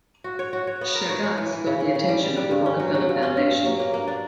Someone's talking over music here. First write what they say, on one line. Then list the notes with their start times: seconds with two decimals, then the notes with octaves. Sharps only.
Chagas got the attention of the Rockefeller Foundation.
0.24 F#4
0.39 C#5
0.53 F#4
0.67 C#5
0.81 B3
0.95 A#4
1.10 C#5
1.24 C#5
1.38 E3
1.52 E3
1.67 C#3
1.80 C#3
1.95 C#3
2.08 G3
2.23 G3
2.37 G3
2.51 G2
2.66 C#4
2.80 F#3
2.95 F#3
3.09 G2
3.23 C#4
3.37 G2
3.51 G2
3.66 F#3
3.79 A#3
3.94 A#3
4.08 D4